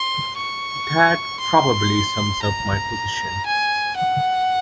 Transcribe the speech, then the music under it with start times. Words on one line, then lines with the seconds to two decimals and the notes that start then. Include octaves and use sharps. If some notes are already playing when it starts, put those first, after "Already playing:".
That probably sums up my position.
Already playing: C6
0.36 C#6
1.40 C6
2.42 A#5
3.46 G#5
3.96 F#5